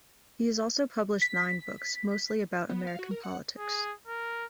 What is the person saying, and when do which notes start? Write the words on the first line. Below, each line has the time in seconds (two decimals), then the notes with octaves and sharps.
He has also published nine books, mostly about American politics.
1.22 B6
2.69 B3
2.87 F5
2.99 F#4
3.11 A#4
3.23 F#5
3.58 G#4
4.08 A#4